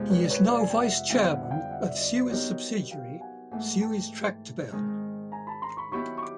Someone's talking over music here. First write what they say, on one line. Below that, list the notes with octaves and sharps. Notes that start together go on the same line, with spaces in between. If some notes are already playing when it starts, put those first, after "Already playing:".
He is now Vice Chairman of Suez subsidiary, Suez-Tractebel.
Already playing: F2 C3 F3 G#3 B3
B4 C#5
D5
B4 C#5
C5 D5
G#5
G5
E5 F#5
F2 D3 G3 B3 E4 F5 G5
E5 F#5
F#5
F5 G5
E5 F#5
D5 E5
D#5
D5 E5
C5 D5
F#3 B3 D#4 G4 A#4 C#5 D#5
F5 G5
F#5 G#5
G#2 E3 A3 F#5 G#5
G5 A5
D#3 G#3 C4 D#4
G#5 A#5
A5 B5
A#5 C6
B5 C#6
D#3 F#3 B3 E4 G4 B5 C#6
C#6
D6